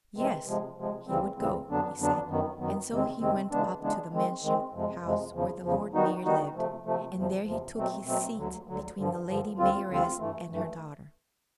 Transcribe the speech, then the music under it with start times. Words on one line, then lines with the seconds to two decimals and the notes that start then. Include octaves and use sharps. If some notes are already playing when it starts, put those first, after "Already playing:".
"Yes, he would go," he said; and so he went up to the Mansion House where the Lord Mayor lived, and there he took his seat between the Lady Mayoress and her daughter.
0.16 C3 E3 G#3 C4
0.47 C3 F3 G#3
0.77 C3 F3 G#3
1.07 D2 C#3 E3 G3 C4
1.38 D2 C#3 E3 G3 C4
1.69 F2 D3 F#3 B3 D4
1.99 F2 D3 F#3 B3 D4
2.29 F#2 D#3 F#3 B3
2.59 F#2 D#3 F#3 B3
2.90 E2 C3 D#3 G#3 C4
3.20 E2 C3 D#3 G#3 C4
3.51 C#3 E3 G#3 B3 D4
3.81 C#3 E3 G#3 B3 D4
4.12 D#3 G#3 C4
4.42 D#3 G#3 C4
4.73 F2 C3 F3 G#3
5.03 F2 C3 F3 G#3
5.33 E2 C#3 F3
5.63 E2 C#3 F3
5.94 D#3 G3 B3 D#4 F#4
6.24 D#3 G3 B3 D#4 F#4
6.55 C3 F3 A3
6.85 C3 F3 A3
7.16 E2 C3 F3
7.46 E2 C3 F3
7.76 B2 F#3 A3 C4
8.06 B2 F#3 A3 C4
8.37 D2 D3 F#3
8.68 D2 D3 F#3
8.99 G2 D3 F3
9.28 G2 D3 F3
9.59 D2 D3 G3 C4 F4
9.90 D2 D3 G3 C4 F4
10.20 G2 E3 A3
10.50 G2 E3 A3